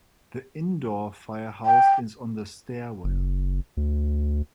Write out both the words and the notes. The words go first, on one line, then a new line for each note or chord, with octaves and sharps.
The indoor firehouse is on the stairwell.
G5
F#1
D2